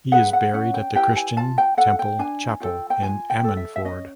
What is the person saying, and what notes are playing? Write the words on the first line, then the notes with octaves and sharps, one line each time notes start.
He is buried at the Christian Temple chapel in Ammanford.
G#4 B4 F#5
F#5
C#4 F#5
G5
E4 G4 B4 G5
G#5
F4 A5
G5
A4 F#5
G5
D4 G#5
F4 A4 G5
G5
F4 G#5
G5
A4
E5
E5
C#4 D#5